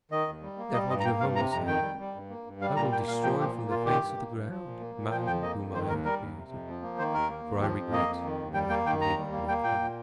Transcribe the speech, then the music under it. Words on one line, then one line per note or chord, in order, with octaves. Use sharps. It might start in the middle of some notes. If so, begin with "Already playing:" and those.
Therefore Jehovah said, I will destroy from the face of the ground man whom I have created, for I regret that I have made mankind.
D#3 D#5
D#2
G3
A#3
G3 D#5
G2 D#5
A#5
A#3 G5
G2 F5
C3 A#5
F2 A#5
D#3 G5
G3
G3
G2
A#3
G2
G3 F5
A#2 A#5
A#3 G5
A#2 F5
F3 G5
A#2 G4
A#3
A#2 F4
D#3 G4
G2
A#3
G2
F3
A#2
A#3
A#2
F3 G5
F2 G5
A#3 D#5
F2
D#3 C5
D#2 A#4
G3 A#4
D#2
C3
F2
F3
A#3
D#3 C5
D#2 A#4
A#3
D#2
F3 G4
F2
A#3 D#5
F2
D#3
D#2
G3 G5
A#3 G5
D#3 G5
D#2 A#5
G3
A#3
A#3 G5
A#2 G5
A#2